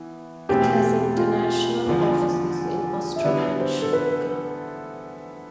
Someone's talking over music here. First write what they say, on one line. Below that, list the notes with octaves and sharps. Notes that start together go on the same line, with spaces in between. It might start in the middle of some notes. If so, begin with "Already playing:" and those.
It has international offices in Australia and Sri Lanka.
Already playing: E3 B3
E2 B2 A3 C4 G4
A4
F4
E2 D3 F3
D5
E5
D3 G3 B3 E4 D5
C5
A4
B4